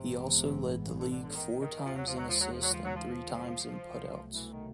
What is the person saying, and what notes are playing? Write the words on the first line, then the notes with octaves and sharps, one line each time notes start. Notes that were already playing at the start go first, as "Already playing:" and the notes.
He also led the league four times in assists and three times in putouts.
Already playing: A1 G2 C3 E3 G#3 B3
C#3
D3
D3
D3
D#3
D#3
D#2 C#3 E3 F3 G#3
F#3
F3
F#3
F3
F#3
F3
F#3
F3
F#3
F3
F3
C2 B2 F#3 A3
E3
D#3